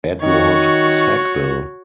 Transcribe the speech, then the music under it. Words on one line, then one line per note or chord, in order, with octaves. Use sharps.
Edward Sackville.
D#3 F#4 C#5